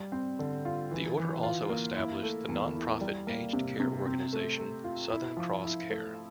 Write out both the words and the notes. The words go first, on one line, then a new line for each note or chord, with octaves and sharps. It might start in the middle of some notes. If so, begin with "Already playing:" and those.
The order also established the non-profit aged care organization, Southern Cross Care.
Already playing: G3
C4
D3
F4
E3
E3
F4
A#3
E4
A3
E2
E4
G3
A#3
C3
C3
C4
A3
A3
F4
E4
F3
E4
A3